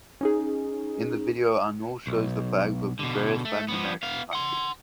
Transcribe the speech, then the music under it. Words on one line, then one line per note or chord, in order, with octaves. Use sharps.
In the video Anuel shows the flags of the various Latin American countries.
C#4 D#4 G#4
B1
B2 D3
A3
F3 B3
B3 F5
F#5 C6